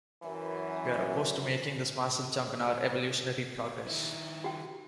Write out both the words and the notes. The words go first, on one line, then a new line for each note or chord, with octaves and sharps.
We are opposed to making this massive jump in our evolutionary progress.
F#2 E3
D#3 E4
F#4 G5